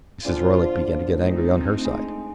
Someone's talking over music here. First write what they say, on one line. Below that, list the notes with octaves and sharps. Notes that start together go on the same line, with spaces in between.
Mrs. Roylake began to get angry, on her side.
A#2 D3 F3 F4
A3 C4 D#4
G#3